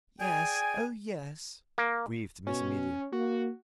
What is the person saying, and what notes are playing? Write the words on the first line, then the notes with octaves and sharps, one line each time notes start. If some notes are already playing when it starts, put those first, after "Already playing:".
"Yes,--oh, yes!" breathed Miss Amelia.
G#4 D5 G5 G#5
A#3
B2 C#4
A#3 F#4